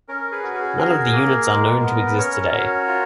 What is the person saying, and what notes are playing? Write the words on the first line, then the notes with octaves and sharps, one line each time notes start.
None of the units are known to exist today.
C#4 A#4
G#4 B4
F#4
G#4
G#4 A#4
A#3
G#3
B3
B4
C#4 A#4 C#5
F#4
F4